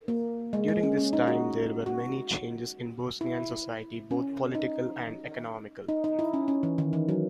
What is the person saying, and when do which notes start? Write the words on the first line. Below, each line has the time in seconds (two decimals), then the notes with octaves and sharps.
During this time there were many changes in Bosnian society, both political and economical.
0.08 A#3
0.53 G#3
0.68 G#3
0.83 C#4
0.98 C#4
1.13 D#4
1.28 F#4
1.86 F#4
3.21 E4
4.11 C#4
4.55 D#4
5.89 D#4
6.04 D#4
6.19 E4
6.33 C#4
6.48 C#4
6.63 E3
6.78 D#3
6.93 E3
7.09 F#3